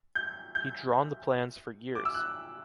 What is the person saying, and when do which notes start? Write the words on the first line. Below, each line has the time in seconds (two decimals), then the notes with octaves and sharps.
He drawn the plans for years.
0.15 G6
0.55 G6
1.95 D6
2.05 E6
2.14 F#6